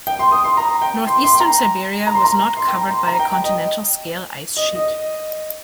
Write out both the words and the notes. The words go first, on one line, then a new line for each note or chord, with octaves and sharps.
Northeastern Siberia was not covered by a continental-scale ice sheet.
G5
C6
D#6
C6
A#5
G5
C6
C6
G5
A#5
A#5
C6
A#5
C6
G5
A#5
C6
A#5
G5
G5
D#5
D#5
D#5